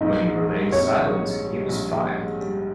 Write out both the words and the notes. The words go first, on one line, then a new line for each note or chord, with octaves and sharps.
When he remained silent, he was fired.
A#1 D#4
G#2
G3
A#1 C#5
A#1
G#2
G3
A#1
A#1
G#2
G3